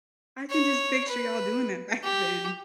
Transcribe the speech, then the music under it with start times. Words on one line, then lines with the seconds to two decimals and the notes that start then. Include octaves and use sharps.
I can just picture y'all doing that back then
0.50 C#5
1.09 B4
2.04 G4